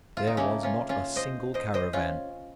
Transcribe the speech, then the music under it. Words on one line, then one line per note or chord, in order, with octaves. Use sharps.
There was not a single caravan.
F4
D#4
C#3 A3 A#3 C#4
C#4 F4
C#4 F4
C5 D#5
C5 D#5
C5 D#5
C#4 F4